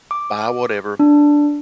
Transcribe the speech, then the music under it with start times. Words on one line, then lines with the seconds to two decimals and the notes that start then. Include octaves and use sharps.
buy whatever."
0.11 D6
0.99 D4